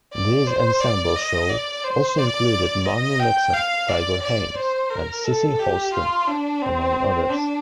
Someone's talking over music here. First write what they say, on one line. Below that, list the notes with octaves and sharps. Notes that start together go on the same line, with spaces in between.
This ensemble show also included Marni Nixon, Tiger Haynes, and Cissy Houston among others.
D5
C5
D5
D#5
D5
C5
D5
D#5
G5
F5
D5
D5
C5
A#4
A4
G4
F4
D4
C4
D4